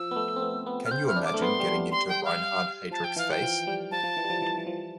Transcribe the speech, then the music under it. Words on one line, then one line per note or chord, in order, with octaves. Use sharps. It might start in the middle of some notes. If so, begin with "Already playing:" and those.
Can you imagine getting into Reinhard Heydrich's face?
Already playing: F3 E6
B3
A3
C4
B3
B3
F6
C4 G6
E4 F6
D4
D6
A3
B3 C6
G3
A3
G3 C6
G5
F5
F3 A5
G5
E3 F5
G5
F3
G3
F3 A5
F3
E3
G3
F3
E3
E3
F3